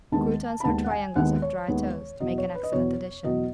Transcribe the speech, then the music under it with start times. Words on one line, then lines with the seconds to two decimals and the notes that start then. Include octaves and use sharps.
Croutons or triangles of dry toast make an excellent addition.
0.12 D#2 D#3 G#3 B3 A5
0.60 B5
0.64 D#2 D#3 G#3 B3 A5
0.84 F#5
0.91 G#5
1.16 D#2 D#3 G#3 B3 F#5
1.42 C#5
1.68 D#2 D#3 G#3 B3
2.20 E2 B2 F#3 D#5
2.38 C#5
2.55 B4
2.63 D#5
2.72 E2 B2 F#3 C#5
3.24 E2 B2 F#3 D#5